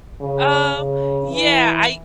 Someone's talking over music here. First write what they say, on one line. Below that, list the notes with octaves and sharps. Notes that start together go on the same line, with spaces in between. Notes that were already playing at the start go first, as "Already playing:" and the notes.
Um, yeah, I
C#3
C#3
E3